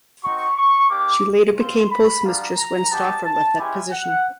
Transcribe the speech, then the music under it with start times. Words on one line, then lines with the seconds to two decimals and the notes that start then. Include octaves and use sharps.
She later became postmistress when Stauffer left that position.
0.23 C4 D#4 F#4 C#6
0.57 C#6
0.90 A#3 D4 G4 D6
1.57 C4 F4 C6
1.91 B5
2.24 G3 B3 D4 F4 A#5
2.58 A#5
2.91 B3 D#4 G4 A5
3.25 A5
3.58 G#3 C#4 E4 G4 G#5
3.91 F#5